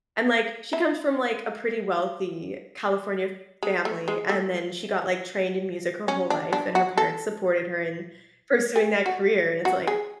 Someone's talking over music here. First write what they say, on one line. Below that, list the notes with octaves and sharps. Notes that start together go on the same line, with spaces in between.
and, like, she comes from, like, a pretty wealthy California family, and then she got, like, trained in music her whole life, and her parents supported her in pursuing that career, and it's like,
E4
G#3
A3
G#3
A3
C#4
D4
D4
F#4
A4
G#4
F#4
F#4
G#4